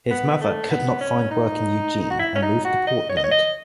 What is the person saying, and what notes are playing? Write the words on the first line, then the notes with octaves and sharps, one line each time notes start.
His mother could not find work in Eugene and moved to Portland.
B3
A3
B3
C#4
D#4
F#4
E4
C#4
D#4
F#4
D#5
C#5
D#5
C#5
D#5